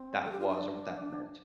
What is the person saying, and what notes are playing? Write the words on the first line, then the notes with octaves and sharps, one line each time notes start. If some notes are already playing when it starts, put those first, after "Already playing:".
that was or what that meant,
Already playing: C4
A4
G4
F4
D4